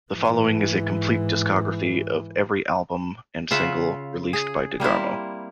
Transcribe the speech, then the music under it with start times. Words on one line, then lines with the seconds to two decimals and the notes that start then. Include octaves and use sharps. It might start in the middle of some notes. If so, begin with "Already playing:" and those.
The following is a complete discography of every album and single released by DeGarmo.
0.12 G#2 E3
3.51 C#3 F4 E5 F#5
4.33 G#4
4.80 G3 A#3 C4 E4